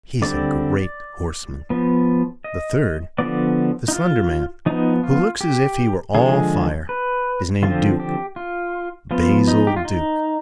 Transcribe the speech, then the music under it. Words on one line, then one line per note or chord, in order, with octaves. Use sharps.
He's a great horseman. The third, the slender man who looks as if he were all fire, is named Duke, Basil Duke.
D3 G3 C4 D5
F3 B3
D#5
D3 F3 B3 D5
D#4
F4
F3 B3 D#4
F4
G4
D3 F3 G#3 G#4
B4
D3 F3 C4 F4
G4
F4
F3 B3 F4
D#4
G4
F4
D#4